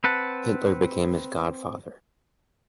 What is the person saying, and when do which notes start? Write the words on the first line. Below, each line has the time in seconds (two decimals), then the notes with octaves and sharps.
Hitler became his godfather.
0.04 C4 B4 F#5 A5